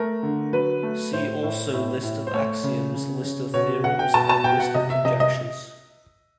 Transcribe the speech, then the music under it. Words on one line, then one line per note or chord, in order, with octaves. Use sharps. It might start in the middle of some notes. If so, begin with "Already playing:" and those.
See also list of axioms, list of theorems and list of conjectures.
Already playing: A3 A#4
D3
F#3 B4
A3
A2 C5
A2
A2
A2
C5
A3 C#5
C#3
C#3
C#3
B2 C#5
B2 F#5
G5
B2 A5
A5
B2 G5
F#5
C3 D#5
E5
C3 D#5
D#5